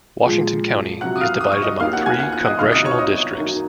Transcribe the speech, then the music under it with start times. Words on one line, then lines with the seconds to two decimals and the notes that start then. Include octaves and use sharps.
Washington County is divided among three congressional districts.
0.22 A#2 F3 G#3
1.01 F2 C3 F#3 F#5 F#6
1.16 D#6
1.21 F5 F6
1.41 D#6
1.51 C#6
1.62 D#5 D#6
1.80 D#2 D#3 A#3 D#4 F5 F6
1.93 F#5 F#6
2.06 G#5 G#6
2.20 F#5 F#6
2.32 F#5 F#6
2.46 D#5 D#6
2.59 C2 C3 D#3 F5 F6
2.72 D#5 D#6
2.85 C#5 C#6
2.98 D#5 D#6
3.38 F#2 D#3 A#3 D#4